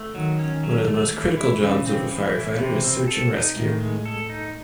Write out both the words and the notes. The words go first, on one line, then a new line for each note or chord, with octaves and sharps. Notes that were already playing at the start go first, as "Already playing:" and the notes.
One of the most critical jobs of a firefighter is search and rescue.
Already playing: A3
D#3 F#3
C#4
F#3
A3
E3
E4
C#3 E3
C4
E3
E4
C3 E3
C4
A4
D#4
A2 D#3
G#3
A4
D#4